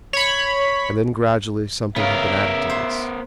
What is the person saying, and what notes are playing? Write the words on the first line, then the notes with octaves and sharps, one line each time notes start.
And then gradually something had been added to this.
C#5 B5
C#3 B3 A#4 E5
C5